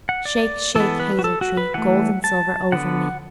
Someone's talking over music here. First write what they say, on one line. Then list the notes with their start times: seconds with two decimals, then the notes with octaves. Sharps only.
"Shake, shake, hazel tree, Gold and silver over me!"
0.09 F#5
0.25 D5
0.75 E3 B3 A4
1.00 B4
1.19 F#4
1.24 A4
1.41 F#4
1.57 B4
1.74 E3 A3 F#5
2.24 A5
2.72 D3 B3 F#5